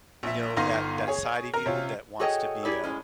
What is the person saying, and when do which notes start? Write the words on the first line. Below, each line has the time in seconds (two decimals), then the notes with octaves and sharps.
you know, that that side of you that wants to be a
0.23 A#1 E5
0.56 G1 B3 D#4 F5 C6 A#6
1.08 G#4 C#5
1.54 A#4 A#5 F6
1.66 C3 C#4 F4
2.20 F#4 G#4 A4 C#5 D#5 G5
2.65 E4 G4 G#4 A#4 C#5 D5
2.84 A2 G#3 C#4